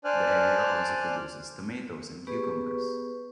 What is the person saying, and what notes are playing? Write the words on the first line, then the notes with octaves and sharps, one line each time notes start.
The area also produces tomatoes and cucumbers.
D4 C5 D5 G#5 F6 F#6
B3 G4 G#4 B4 C#6